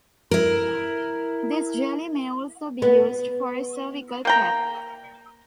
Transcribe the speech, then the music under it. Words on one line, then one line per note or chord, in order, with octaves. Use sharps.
This jelly may also be used for a cervical cap.
E4 A#4
B3
A#3 G5 A#5